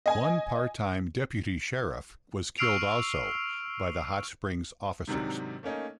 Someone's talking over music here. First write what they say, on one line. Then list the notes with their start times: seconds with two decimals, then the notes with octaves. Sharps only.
One part-time deputy sheriff was killed also, by the Hot Springs officers.
0.06 D#5 G#5
2.58 C#6 E6 F6 C7 D7 F7
5.08 G#2 C3 D#3 F#3 C4 D4
5.63 A3 A#3 C#4 D#4